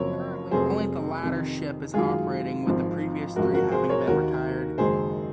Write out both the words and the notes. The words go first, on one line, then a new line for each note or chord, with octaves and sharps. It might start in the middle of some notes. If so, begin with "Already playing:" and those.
Currently only the latter ship is operating, with the previous three having been retired.
Already playing: F#1 F#2 F3 C4 A#4 C#5
F1 F2 C3 F#3 G#4 C5
F2 C3 D#3
F#2 D#3 G#3 F4 G#4
G#1 G#2 F3 C4
G#1 F#2 F3 G#3 F#4 A#4
F#4 A#4
G#4 C5
A#4 C#5
D#2 D#3 A#3 F#4 A#4
F#1 F#2 D#3 G#3 G#4 C5